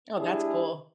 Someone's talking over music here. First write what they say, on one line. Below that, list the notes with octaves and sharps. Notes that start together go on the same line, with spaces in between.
Oh, that's cool.
G#3 D4 E4 G4 G#4